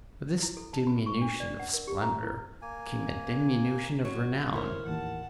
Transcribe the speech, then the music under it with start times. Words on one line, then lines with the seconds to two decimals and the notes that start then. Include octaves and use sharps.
With this diminution of splendour came a diminution of renown.
0.42 E4
0.57 A4
0.73 A5
0.87 B5
1.06 C#6
1.21 D4
1.40 D5
1.59 F#5
1.74 A#4
1.87 G4
2.02 A#5
2.23 E4
2.62 A#3 G#5
4.05 F#3 F#4 C#6
4.53 D3 E4 A#4 C5 C#5
4.85 D#2 A2 E3 F#5 A5